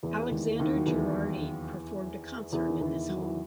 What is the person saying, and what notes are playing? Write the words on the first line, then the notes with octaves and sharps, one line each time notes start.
Alexander Girardi performed a concert in this hall.
E2 E3
E3
D#2 D#3
D#2 D#3
F#3
E2 E3
E2 E3
D#3
E2 E3
F#3
E3